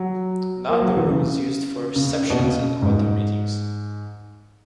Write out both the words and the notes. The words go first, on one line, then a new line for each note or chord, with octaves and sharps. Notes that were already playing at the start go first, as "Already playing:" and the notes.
Now the room is used for receptions and other meetings.
Already playing: F#3
A#3
F#3
E3
C#3
C#3
B2
C#3
G#2